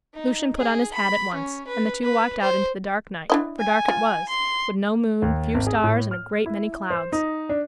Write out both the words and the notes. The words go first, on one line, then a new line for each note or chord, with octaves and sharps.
Lucian put on his hat at once, and the two walked out into the dark night, for dark it was, with no moon, few stars, and a great many clouds.
D#4
G#4
B5
C#4
B4
B4
C5
D4 E4 D#5
G#5
F4
C6
D#2
G#1
G#4
A2
F6
E4
C5
D#4
D4